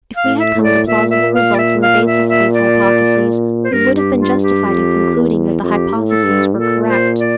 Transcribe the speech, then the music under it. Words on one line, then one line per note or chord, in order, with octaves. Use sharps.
If we had come to plausible results on the basis of these hypotheses, we would have been justified in concluding that the hypotheses were correct.
F5
A2
E5
A2
D5
A#2 E5
E5
F5
D5
E5
F5
E5
E5
D5
C5
G2 A#4
G4
F4
G4
F2
E2
F2 G4
A2
A4
G2
A#2 A4
C5
D5